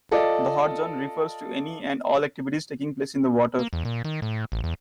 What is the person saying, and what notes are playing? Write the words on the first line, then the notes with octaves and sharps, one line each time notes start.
The Hot Zone refers to any and all activities taking place in the water.
F4 A4 D5 D#5
A#3
E2
A#2
D#3
A2
A1
E2